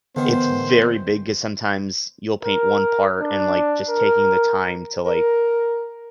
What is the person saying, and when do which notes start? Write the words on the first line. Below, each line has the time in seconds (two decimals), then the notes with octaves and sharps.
It's very big 'cause sometimes you'll paint one part and, like, just taking the time to, like
0.16 E2 D3 D#3 B3 C5
2.43 A#4
3.21 D4
3.89 A#4
5.06 A#4